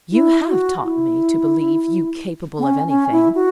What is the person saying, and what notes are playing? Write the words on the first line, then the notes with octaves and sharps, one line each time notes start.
"You have taught me to believe you capable of anything."
E4
F#4
E4
B3
C#4
C#4
E4
F#4